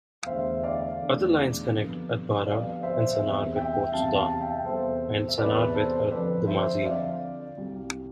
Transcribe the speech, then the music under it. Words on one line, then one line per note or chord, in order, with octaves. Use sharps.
Other lines connect Atbarah and Sannar with Port Sudan, and Sannar with Ad Damazin.
F5
E2 D3 A3 C5 E5
D5 F5
E2 D3 A3
F2 D3 G3 B3
F2 D3 G3 B3 D5 F5
C5 E5
E2 C3 G3 C4
E5 G5
E2 C3 G3 C4 F5 A5
F5 A5
E5 G5
E2 C3 G3 B3 A4 C5
E5
E2 C3 G3 B3 B4 D5
A4 C5
F2 D3 F3 C4 B4 D5
C5 E5
F2 D3 F3 C4 D5 F5
C2 C3 G3